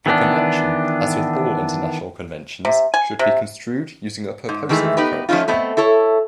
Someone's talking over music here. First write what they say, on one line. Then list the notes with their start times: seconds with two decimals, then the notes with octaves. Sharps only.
The Convention, as with all international conventions, should be construed using a purposive approach.
0.06 D#3 E3 B3 D4
2.65 C3
2.94 G#5
3.19 C3
4.49 G#2
4.69 D#3 E3 G#3 A3
4.97 B3 D#4 G4 B4
5.29 F3 A3 C#4 D#4 F4
5.48 A3 B3 C4 D#5
5.77 E4 A4 C#5